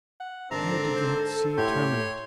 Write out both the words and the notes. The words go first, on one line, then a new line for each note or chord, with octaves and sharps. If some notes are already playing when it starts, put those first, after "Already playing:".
Where did that sea terminate?
F#5
G#2 D3 C4 D4 A#4 A#5
A4
C5
A2 E4 G4 C#5 F#5 C6